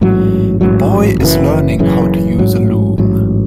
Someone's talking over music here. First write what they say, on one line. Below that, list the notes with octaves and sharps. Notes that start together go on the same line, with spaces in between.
A boy is learning how to use a loom.
A1 G#2 F#3
A1 G#2 F#3
F#1 F#2 C#3 E3
F#1 F#2 C#3 E3
A1 G#2 F#3
A1 G#2 F#3